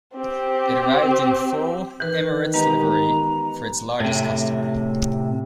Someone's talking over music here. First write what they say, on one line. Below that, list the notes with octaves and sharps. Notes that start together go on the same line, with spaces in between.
It arrived in full Emirates livery for its largest customer.
C4 G4
D#3 E3 B4 F#6
G#3 B3 G4 D#5 A#5
A2 C3